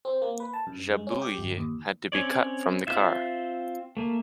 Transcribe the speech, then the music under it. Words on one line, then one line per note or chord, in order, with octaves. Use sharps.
Jabouille had to be cut from the car.
C4
A#3
B4
A5
F#2
G#3
C#4
G4
G1
D#2
C4 C#4 C#5 D5
C4 F4 E5
A3 A#3